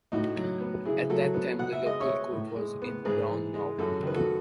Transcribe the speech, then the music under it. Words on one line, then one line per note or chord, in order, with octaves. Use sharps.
At that time, the local court was in Braunau.
A2 D#4 F#4
F#3
B3
C#3 E4 G#4
F#3 F#4 A4
B3
B2 F#5
E5
G#3 D#5
C#5 E5
B3
A2
G#3
B3
G#2 G#4 B4
E3
G#3
F#2 F#4 A4
D#3 B4
F#4 A4